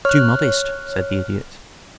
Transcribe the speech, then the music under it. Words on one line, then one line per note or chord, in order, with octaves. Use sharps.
"Too modest," said the Idiot.
C#5 F6 F#6